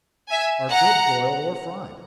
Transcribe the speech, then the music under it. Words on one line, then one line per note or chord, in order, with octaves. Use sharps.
Are good, broiled or fried.
E5 G#5
F#5 A#5